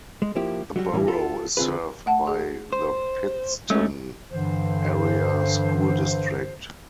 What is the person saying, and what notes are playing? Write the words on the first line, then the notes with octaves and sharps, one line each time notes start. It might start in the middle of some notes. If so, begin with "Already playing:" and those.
The borough is served by the Pittston Area School District.
G#3
F3 A#3 E4 G4
F#3 G3 F#4
A2 E3 G3
F4 A4
D3 C4 F4 G#4 B4
A3 F#5 A5
G#4
C5
G#3 A3 C#4
G2 D3 E3 C5